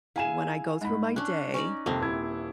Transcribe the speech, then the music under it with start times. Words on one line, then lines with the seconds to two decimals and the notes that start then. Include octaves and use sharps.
when I go through my day,
0.16 E4 G#4 F5 G#5 E7
0.81 G#2 B5
1.16 C#4 D4 F#6
1.54 C#4 D#4 D5
1.86 F2 C3 A#3 C4
2.01 D#1 E4 G#6